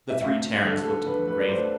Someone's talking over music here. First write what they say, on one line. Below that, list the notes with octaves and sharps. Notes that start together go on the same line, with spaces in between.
The three Terrans looked at them gravely.
E5
D2 F5
D3 A4
A4
D3 B4
B4
D5
D2 C5